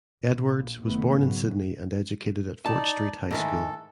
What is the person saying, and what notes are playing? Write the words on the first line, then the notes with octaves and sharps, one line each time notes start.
Edwardes was born in Sydney and educated at Fort Street High School.
A#1
F#1 D#3 A3 B3
G#2 C#3 F#3
D#4 D5 A5
G#2 D#3 E3 A4